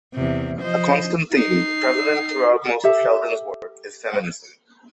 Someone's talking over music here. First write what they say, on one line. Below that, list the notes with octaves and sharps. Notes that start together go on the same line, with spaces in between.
A constant theme, prevalent throughout most of Sheldon's work, is feminism.
E2 C3
F3 C5 D#5
D#4 C7
G4 A4 E5